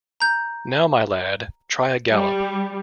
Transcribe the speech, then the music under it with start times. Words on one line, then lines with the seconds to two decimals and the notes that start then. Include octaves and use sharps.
Now, my lad, try a gallop!
0.20 A#5 G6
2.10 G3